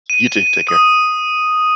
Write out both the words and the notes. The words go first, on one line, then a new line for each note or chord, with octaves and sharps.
You too, take care.
D#7
D#6